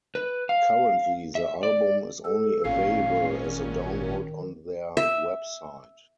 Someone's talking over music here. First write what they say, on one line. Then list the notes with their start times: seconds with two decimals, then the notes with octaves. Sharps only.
Currently the album is only available as a download on their website.
0.15 B4
0.49 F5
1.35 E5
1.63 D5
2.25 A4
2.64 G#1 A#2 C#4 F5
3.46 D#3
4.97 E5